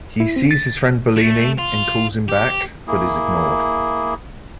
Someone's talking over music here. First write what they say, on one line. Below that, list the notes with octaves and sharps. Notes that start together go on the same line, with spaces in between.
He sees his friend Berlini and calls him back but is ignored.
E4
C4
A6
A3
F4
G4
A#3 E4 G#4